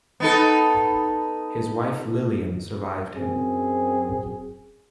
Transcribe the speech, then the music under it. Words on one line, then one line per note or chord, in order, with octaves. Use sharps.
His wife Lillian survived him.
B3 D#4 A4
F#2 C4 G#4